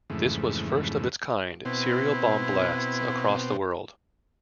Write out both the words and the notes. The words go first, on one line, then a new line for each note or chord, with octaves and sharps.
This was first of its kind serial-bomb-blasts across the world.
F2 G#2 C#3 E3 A3
B2 C4 E4